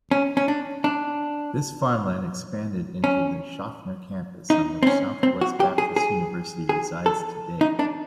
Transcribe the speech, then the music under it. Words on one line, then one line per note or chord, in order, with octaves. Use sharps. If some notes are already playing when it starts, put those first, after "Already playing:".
This farmland expanded into the Shoffner Campus on which Southwest Baptist University resides today.
C#4
C#4
D4
D4
C#4
D#4
C4
C#4
C4
F#4
G4
G#4
G#4
G#4
A4
D#4
D4